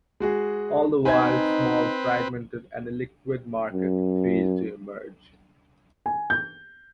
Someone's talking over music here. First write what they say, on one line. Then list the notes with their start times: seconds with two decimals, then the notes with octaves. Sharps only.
All the while the small fragmented and illiquid market failed to emerge.
0.20 G#3 F#4 G#4
1.05 C4 D#4 B4 G#5 G#6
3.73 F#2
6.06 G#5
6.30 G6